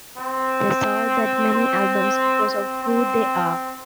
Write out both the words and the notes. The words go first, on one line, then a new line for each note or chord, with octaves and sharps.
They sold that many albums because of who they are.
C4
C4
C4
C4